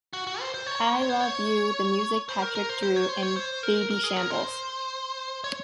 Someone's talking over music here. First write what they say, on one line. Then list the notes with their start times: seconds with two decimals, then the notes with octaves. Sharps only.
I love you, the music, Patrick, Dru and Babyshambles.
0.13 F#4
0.27 F#4
0.40 C5
0.54 C5
0.66 C#5
0.94 C5
1.02 C#5
1.10 C5
1.20 C#5
2.29 C5
2.42 A#4
2.55 A#4
2.69 C5
2.83 C5
2.96 C#5
3.09 C5
3.23 C#5
3.36 C5
3.63 A#4
3.91 A#4
4.04 G#4
4.17 A#4
4.31 C5
5.44 C#5